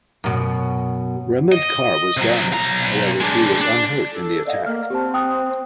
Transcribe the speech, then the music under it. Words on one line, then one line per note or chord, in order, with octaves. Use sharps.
Rehman car was damaged however he was unhurt in the attack.
F#2 B2
D#5
C3 F#3
B1 A#5
G#3 D4
D4
A4
D5 D#5 F5 F#5
A#3 F6
C4 G4 A5
G5 D#6 F#6